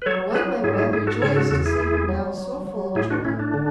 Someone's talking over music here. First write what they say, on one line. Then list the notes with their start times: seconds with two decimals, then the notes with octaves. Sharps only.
One might well rejoice to see her now so full of joy.
0.02 B4
0.06 F#3 A4 C#5
0.31 A4
0.34 F#3 G#4 B4
0.64 G#2 E4 G#4
0.73 A4
0.78 E4 G#4
0.93 G#2 E4 G#4
1.07 F#4 A4
1.22 C#3 A4 C#5
1.36 F#4 A4
1.51 E2 F#4 A4
1.66 E4 G#4
1.80 E2
2.09 F#3
2.38 F#3
2.67 F#3
2.95 A2 E4 G#4
3.10 D4 F#4
3.24 A2 C#4 E4
3.39 D4
3.54 D3